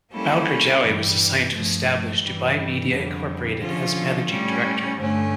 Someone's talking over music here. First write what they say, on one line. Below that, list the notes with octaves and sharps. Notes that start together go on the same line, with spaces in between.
Al Gergawi was assigned to establish Dubai Media Incorporated as Managing Director.
G3 A#3 C#4 E4 A4
G2 E3 G3
G2 F3 A3
G2 E3 G3
F2 D3 G3
D3 F3 C#4 F4
A2 G3 C#4
G2 D3 A3 C#4